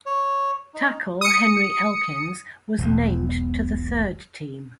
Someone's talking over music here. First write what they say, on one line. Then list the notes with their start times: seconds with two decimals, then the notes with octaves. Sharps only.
Tackle Henry Elkins was named to the third team.
0.06 C#5
0.74 D#4
1.21 D#6 C#7
2.78 E1 B1 E2